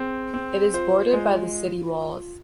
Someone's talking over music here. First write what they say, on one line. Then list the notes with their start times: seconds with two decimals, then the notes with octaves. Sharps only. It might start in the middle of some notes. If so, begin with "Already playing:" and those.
It is bordered by the city walls.
Already playing: C4 G#4
0.34 C4
0.74 F4 C5
1.13 G#3